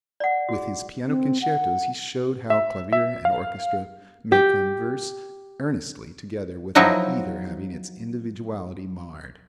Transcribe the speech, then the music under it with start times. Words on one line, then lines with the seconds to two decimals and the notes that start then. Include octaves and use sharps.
With his piano concertos he showed how clavier and orchestra may converse earnestly together without either having its individuality marred.
0.20 D5 F#5
0.49 F#4 G#4
1.08 C4
1.42 F#5
2.50 E5
2.93 E5
3.25 F5
4.32 G4
6.75 F3 F#3 D#4 E4 F#4